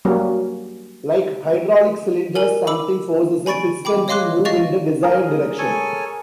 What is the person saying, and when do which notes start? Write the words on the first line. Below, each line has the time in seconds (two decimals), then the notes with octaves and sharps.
Like hydraulic cylinders, something forces a piston to move in the desired direction.
0.05 F#3 G3 A#3 C#4 F#4
2.35 A#4 G#5 F#7
2.67 B5 D6 E6 F#7
3.46 G#5 B5 C#6 A6 D7
3.85 G5 B5 D6
4.08 C#5 D#5 F5 C6 D6 F#6
4.45 D#5 F5 C#6 A6 F7
5.03 G#4 A#4
5.59 A4 C#5 G#5